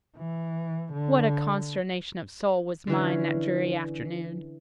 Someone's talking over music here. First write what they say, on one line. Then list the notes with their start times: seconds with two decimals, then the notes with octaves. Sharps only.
What a consternation of soul was mine that dreary afternoon!
0.17 E3
0.93 D3
2.87 D3 E3 C#4